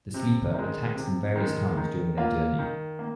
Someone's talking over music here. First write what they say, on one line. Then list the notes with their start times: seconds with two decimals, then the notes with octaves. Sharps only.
The Sleeper attacks them various times during their journey.
0.14 C3
0.54 D#3 G#3
0.95 C3
1.35 D#3
1.41 G#3
1.77 D#3
2.17 A#3 F4
2.59 D#3
2.99 A#3